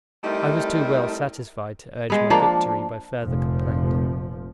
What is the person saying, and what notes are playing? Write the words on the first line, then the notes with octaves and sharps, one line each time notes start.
I was too well satisfied to urge my victory by further complaint.
G3 A3 C4 D#4 E4 A#4
G#3 B3
F3 A#3 D4
F1 A#2 F3